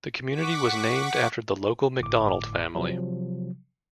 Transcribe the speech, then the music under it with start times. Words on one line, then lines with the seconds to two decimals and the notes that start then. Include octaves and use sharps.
The community was named after the local McDonald family.
0.31 F#5 C#6 D6 B6
2.00 G1 A2 D6
2.75 C3 F3 F#3